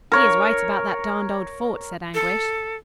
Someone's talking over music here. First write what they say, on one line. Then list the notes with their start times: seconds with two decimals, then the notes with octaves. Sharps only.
"He is right about that darned old fort," said Anguish.
0.12 A#4 C#5
2.14 A4